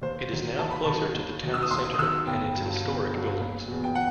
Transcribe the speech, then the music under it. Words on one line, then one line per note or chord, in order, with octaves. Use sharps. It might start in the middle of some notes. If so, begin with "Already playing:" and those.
It is now closer to the town centre and its historic buildings.
D#2 C5
D#3 F#3
D#2 A5
B5
D#3 F#3 A5
D#2
D#3 F#3
E6
D#6
D#2 C6
D#6
D#3 F#3 E6
G1 G5
G2 F#3
G1
G2 F#3
F#1
E2 B2
G5
F#5